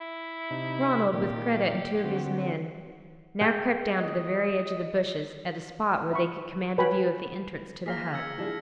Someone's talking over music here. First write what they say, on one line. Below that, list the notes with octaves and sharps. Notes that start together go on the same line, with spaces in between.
Ronald, with Kreta and two of his men, now crept down to the very edge of the bushes at a spot where they could command a view of the entrance to the hut.
E4
C3 D#4
A#2 D#3 A#3 G4
D3 C4 F#4
G#4 G5
D#5
E5 B5 C#6
F#4 B4 C#5 G5 G#5 B5
A#3 G#4 F5 A#5 F6 A#6 B6
E6 G#6 C#7
F3 G3 D4 E4 G#4